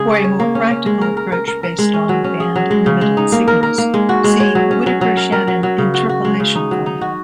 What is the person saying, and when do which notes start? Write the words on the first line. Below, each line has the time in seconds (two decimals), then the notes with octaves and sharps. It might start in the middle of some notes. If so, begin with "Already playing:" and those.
For a more practical approach based on band-limited signals, see Whittaker-Shannon interpolation formula.
Already playing: C#3 G#3 G#4
0.09 C#4
0.24 C#5
0.40 A#3
0.55 C#4
0.71 C#4
0.86 G#3
1.01 A#4
1.17 A#4
1.32 A#4
1.48 A#4
1.63 A#4
1.79 G#3
1.94 C#4
2.09 F#3
2.24 C#4
2.40 G#4
2.55 F#3
2.71 G#3
2.86 C#3
3.01 G#3
3.17 D#4
3.32 A#3
3.48 A#4
3.63 A#4
3.78 A#3
3.94 G#3
4.09 F#4
4.24 G#3
4.40 C#5
4.55 F#3
4.71 C#4
4.86 F#3
5.01 F#3
5.17 A#4
5.32 A#4
5.48 F#3
5.63 F#3
5.78 C#3
5.94 F#4
6.09 F#4
6.25 G#3
6.40 C#3
6.55 D#4
6.71 F#3
6.86 D#4
7.01 F#4